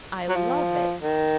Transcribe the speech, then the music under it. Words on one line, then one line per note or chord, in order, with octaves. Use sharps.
"I love it."
F#3
F3
D#3